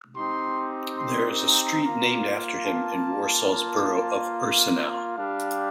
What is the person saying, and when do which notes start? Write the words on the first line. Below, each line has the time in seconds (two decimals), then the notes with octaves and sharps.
There is a street named after him in Warsaw's borough of Ursynow.
0.15 C4 D#4 G4 C6
0.98 C6
1.40 A#5
1.83 A#3 F4
2.65 A5
3.49 A#3 F4
5.16 G3 D4 G4 F5